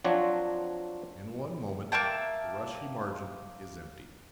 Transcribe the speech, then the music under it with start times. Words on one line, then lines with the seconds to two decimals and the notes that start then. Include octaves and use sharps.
In one moment the rushy margin is empty.
0.05 F3 F#3 C4 D4 F#4 C#5
1.92 A#3 E5 G5 A5